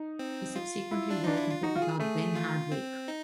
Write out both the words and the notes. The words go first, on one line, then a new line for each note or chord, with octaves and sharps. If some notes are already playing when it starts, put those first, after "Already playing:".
He subsequently wrote a book about Ben Hardwick.
Already playing: D#4
C4
F4
E4
D4
D4 D#4
E4
F4
D#4 F#4
F4
G#4
A3 G#4
F4
C4
D#4